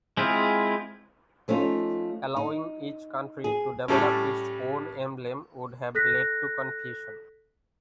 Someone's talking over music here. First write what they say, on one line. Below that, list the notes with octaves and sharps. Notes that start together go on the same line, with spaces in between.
Allowing each country to develop its own emblem would have led to confusion.
G#3 C4 E4 F4 G#4
F3 A3 C#4 D#4 F4
D#4
G#4
A2 G3 A3 C#4
A4 F#6 A#6 B6